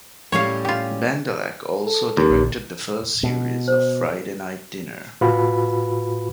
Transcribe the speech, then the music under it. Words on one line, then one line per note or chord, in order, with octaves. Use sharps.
Bendelack also directed the first series of "Friday Night Dinner".
A2 G3 C#4 C#5 F5
F4 G4
A4
D#2
A#1
B2
C5
A2 F4 F#4 B4 B5